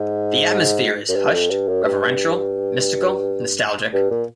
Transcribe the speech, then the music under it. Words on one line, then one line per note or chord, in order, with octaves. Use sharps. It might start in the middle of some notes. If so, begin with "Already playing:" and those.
The atmosphere is hushed, reverential, mystical, nostalgic.
Already playing: G#2
F#2
G2
F2
G2
F#2
G2
G2
A#2